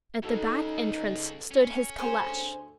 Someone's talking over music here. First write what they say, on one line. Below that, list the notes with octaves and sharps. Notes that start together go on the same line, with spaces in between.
At the back entrance stood his caleche.
C#3 G#3 D#4 F#4 A4
C#4
D2 G#4 C5